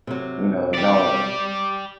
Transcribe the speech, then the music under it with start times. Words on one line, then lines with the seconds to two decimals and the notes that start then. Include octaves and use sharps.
you know, don't,
0.07 C3 F#3
0.75 G4 D5